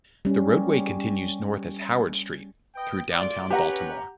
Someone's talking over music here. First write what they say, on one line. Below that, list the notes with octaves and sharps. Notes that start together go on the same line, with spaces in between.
The roadway continues north as Howard Street through downtown Baltimore.
G3 C#4
B4 D#5 G5
A3 F4 D5
C#4 G4 B4 F#5 A#5